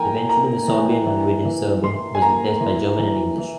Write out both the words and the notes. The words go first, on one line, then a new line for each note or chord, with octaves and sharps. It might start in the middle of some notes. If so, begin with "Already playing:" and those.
Eventually, the Sorbian language in Serbin was replaced by German and English.
Already playing: E3 A#3 G5 G#5 A#5
A#3 A#5
E3
E3
E3
E3 C6
G#5
A#3 A#5
E3
E3
E3